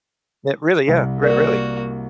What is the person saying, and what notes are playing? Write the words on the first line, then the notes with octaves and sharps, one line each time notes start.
But really, yeah, r really.
C2
A#3 F#4 A#4 D5